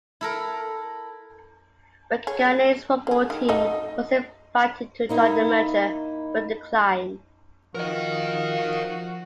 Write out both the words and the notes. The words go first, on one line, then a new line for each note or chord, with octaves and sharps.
Waikanae's football team was invited to join the merger but declined.
E4 A4 A#4
G#4 C#5
A#3 G#4
D#3
A3 D#4 F#4 D#5
A#3 D#4 E4
F3 F#4 A#4 D#5 F5